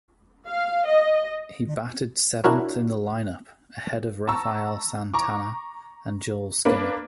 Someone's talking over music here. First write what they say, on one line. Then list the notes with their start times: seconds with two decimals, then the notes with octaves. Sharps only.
He batted seventh in the lineup, ahead of Rafael Santana and Joel Skinner.
0.47 F5
0.86 D#5
2.44 D4 E4 F#4 A#4 C#5
4.28 A5 A#5 C#6 E6
5.14 A#5 C#6 D6
6.65 A#3 D4 B4